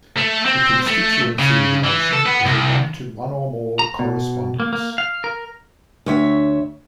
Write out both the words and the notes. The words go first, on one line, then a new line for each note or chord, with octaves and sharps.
The constituency relation is a one-to-one-or-more correspondence.
A3
C4
A3
C#3
E3
A4
B3
C2
A#5
B2
A#3
A#3
F5
A#4
D2 C#5 E5